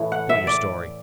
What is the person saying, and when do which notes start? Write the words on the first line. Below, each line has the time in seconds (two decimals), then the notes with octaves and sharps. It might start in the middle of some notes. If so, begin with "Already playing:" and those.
"Spill your story."
Already playing: A2 E3
0.12 F#5
0.29 E5
0.47 D5